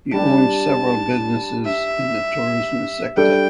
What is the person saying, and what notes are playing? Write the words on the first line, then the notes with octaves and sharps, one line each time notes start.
He owns several businesses in the tourism sector.
G3 D4 G4 A5
E5
G3 D4 A4 G5